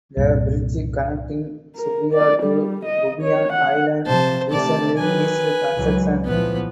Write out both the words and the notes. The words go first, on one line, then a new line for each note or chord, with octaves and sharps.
The bridge connecting Subiya to Bubiyan Island recently finished construction.
C2 G2 A#2
A#4
D5
G3
D#5
C#5
F#5
C3 F3 C5 A5
C3 A3 D5 A5
D#3 F#3 B4 G#5
C#2 E3 F#3
A#1 E3 F3 B3 B4